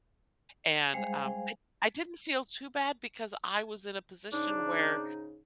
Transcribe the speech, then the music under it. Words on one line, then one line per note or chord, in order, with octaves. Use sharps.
And, um, I I didn't feel too bad because I was in a position where,
G3 G#3 G#4 C5 F5
G#2 C#3 D4 D#4